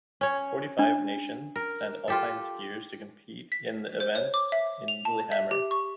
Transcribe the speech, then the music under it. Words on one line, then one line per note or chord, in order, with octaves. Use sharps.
Forty-five nations sent alpine skiers to compete in the events in Lillehammer.
C#4 C#5
D4
A#4
F4 G4 A4
B6
C5
C#5
D6
E5
F7
A5
E5
G4
C#6